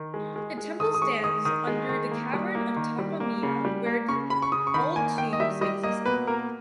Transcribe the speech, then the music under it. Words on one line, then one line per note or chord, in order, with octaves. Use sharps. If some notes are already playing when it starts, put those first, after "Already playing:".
The temple stands under the cavern of Takamiya where the old tombs existed.
Already playing: D#3
G#3
G#3
G#3
D#3 D#6
D#6
G#3 C#6
D#3 D#6
D#3 D#6
G#3
D#3
A#3
G3
A#3
D#3
G3
A#3
C#3
G3
A#3
C#3 C#6
C#3 B5
C#6
C#3 D#6
C#6
D#3 B5
A#3 G#5
D#3 G5
D#5
G3 E5
G3 D#5
A#3 D#5
B2 B4
A#3 A#4